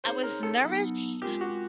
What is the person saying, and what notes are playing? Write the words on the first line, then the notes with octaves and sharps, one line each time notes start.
I was nervous
C4 D#4 G#4 C5 C#5
A#4
A4
F#3 B3 D#4
G#3 C4 F4 G4 A#4
F#4